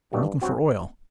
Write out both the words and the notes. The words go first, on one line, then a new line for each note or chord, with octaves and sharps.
I'm looking for oil.
G2 D#3 F#3 A3 D4 G4
G2 F#3 C4 F#4